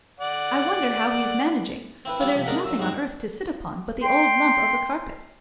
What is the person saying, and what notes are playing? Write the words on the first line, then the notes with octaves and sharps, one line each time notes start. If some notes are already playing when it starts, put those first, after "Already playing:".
I wonder how he is managing, for there is nothing on earth to sit upon but the old lump of a carpet.
D5 F#5
C4 E4 B4
G3 C4 D4 E4 F4
C3 F3
G#3 D4 A#4 D5 F#5
F#3 E5
G#2 G3 F#4 C5
G5 C6